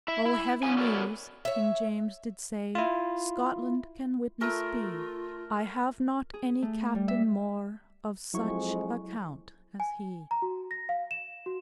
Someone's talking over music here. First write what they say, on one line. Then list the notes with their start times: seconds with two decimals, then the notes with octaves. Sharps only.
"O heavy newes," King James did say; "Scottland can witnesse bee, I have not any captaine more Of such account as hee."
0.08 E4 E5
0.25 E4
0.63 C#3 B3 C#4 G#5
0.78 B3 F#4 A4 A#4 C#5 D5
1.45 C#5 E5
2.75 E4 F4
4.41 A3 F4 A#4
6.34 G#4
6.62 A3
6.95 G3
7.08 E5
8.34 F2 F#3 G#3 E4 C#6
9.80 G#5
10.31 A#5
10.42 F#4
10.71 A#6
10.89 F5
11.11 E7
11.46 F#4